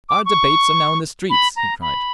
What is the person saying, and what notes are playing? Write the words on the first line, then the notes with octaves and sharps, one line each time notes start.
"Our debates are now in the streets," he cried.
D6
C#6
B5
A#5
B5